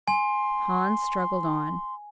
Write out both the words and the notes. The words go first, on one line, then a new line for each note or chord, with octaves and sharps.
Hans struggled on.
G#5 C6